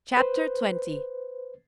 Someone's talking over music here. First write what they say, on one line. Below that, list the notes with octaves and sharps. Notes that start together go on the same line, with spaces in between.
Chapter XX.
B4 C5